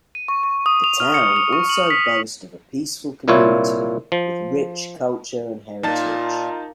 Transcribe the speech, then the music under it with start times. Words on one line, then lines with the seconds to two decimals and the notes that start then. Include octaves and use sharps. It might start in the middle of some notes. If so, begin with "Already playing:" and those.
The town also boast of a peaceful community with rich culture and heritage.
0.15 D#7
0.28 C#6
0.43 C#6
0.66 D#6
0.84 F7
1.00 F6
1.14 C#7
1.36 F7
1.53 C#6
1.69 F#7
1.90 B6
2.06 B6
3.28 C2 A#2 E4 F4 C#5
4.12 F3
5.83 A#2 D#4 F4 A5 A6